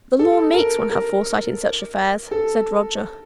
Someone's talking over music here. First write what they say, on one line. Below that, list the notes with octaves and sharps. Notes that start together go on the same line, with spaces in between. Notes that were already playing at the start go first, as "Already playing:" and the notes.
"The law makes one have foresight in such affairs," said Roger.
A4
A#4
A#4
A4